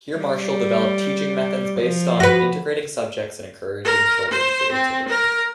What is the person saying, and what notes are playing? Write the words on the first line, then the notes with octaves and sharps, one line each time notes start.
Here Marshall developed teaching methods based on integrating subjects and encouraging children's creativity.
G3
F3
F#4 B4
A#4
C5
C4
A#4